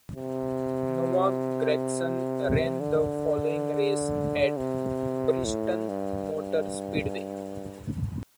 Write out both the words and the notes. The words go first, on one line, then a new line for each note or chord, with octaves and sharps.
Noah Gragson ran the following race at Bristol Motor Speedway.
C3
D3
C3
A2
G2
G2